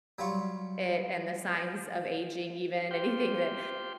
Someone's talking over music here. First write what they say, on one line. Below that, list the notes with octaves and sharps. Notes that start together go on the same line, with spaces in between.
it and the signs of aging even, anything that,
F#3 G3 F4 C#6
F4 G4 C5 G5